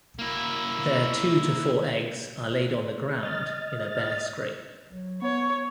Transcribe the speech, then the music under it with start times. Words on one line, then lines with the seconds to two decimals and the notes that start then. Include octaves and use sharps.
Their two to four eggs are laid on the ground in a bare scrape.
0.19 A#3 E4
3.23 D#5 F6 A6
4.89 F#3
5.22 B3 C#5